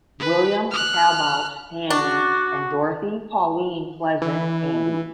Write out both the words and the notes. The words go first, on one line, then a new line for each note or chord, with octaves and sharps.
William Talbot Handy and Dorothy Pauline Pleasant Handy.
B4
F6 F#6
D4 F#4
E3